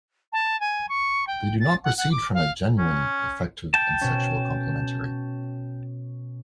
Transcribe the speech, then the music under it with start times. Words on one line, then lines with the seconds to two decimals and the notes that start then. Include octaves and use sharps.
They do not proceed from a genuine effective and sexual complementary.
0.32 A5
0.60 G#5
0.89 C#6
1.27 G5
1.59 A6
1.84 F#5
1.97 F#5
2.11 D6
2.34 F5
2.78 C#4
3.74 G5 A5
4.01 B2 C#4